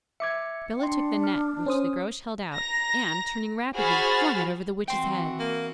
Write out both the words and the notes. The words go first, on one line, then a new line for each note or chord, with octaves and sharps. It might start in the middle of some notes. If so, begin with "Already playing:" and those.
Bellah took the net which the Groac'h held out, and, turning rapidly, flung it over the witch's head.
E5 D6 G#6 C#7
D4 G5 C6
F6
C#4 C5 D#6
A#5 A#6
F#4 G#4 C5 B5 F6 A6
E3 C4 F#4 G5 C6
A#3